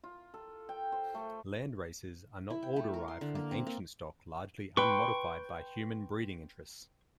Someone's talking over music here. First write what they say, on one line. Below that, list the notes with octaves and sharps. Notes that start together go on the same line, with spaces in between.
Landraces are not all derived from ancient stock largely unmodified by human breeding interests.
F4
A4
G5
C5
A3
E4
G5
A3
A#4
C6
D3
A#3
C4
A#3
B4 G5 C6 C#6